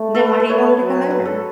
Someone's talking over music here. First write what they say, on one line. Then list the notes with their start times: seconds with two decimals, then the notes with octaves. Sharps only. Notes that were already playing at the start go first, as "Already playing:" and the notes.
Then why do you want her to come over?
Already playing: A3
0.15 A4 B4
0.40 B4
0.50 A3 C#5
0.80 F#3
1.11 B4
1.25 A4